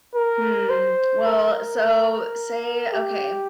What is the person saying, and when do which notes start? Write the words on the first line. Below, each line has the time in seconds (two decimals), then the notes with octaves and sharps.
Hmm. well, so say okay,
0.15 A#4
0.70 C5
1.27 A#4
2.93 G4